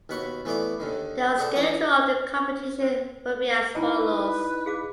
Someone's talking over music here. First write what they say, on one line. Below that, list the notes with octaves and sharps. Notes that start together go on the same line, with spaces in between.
The schedule of the competition will be as follows.
D#2 B2 F#5 B5 C#6
E3 A3 B3 C#5 D5 D6
D#2 D3 D#3
G#4 A4 D5 F#5 A5
E3 D#4 D5 A#5
C5
D#4 E4 B4 D#5 G5 G#5 A#5
G#4 F5 D6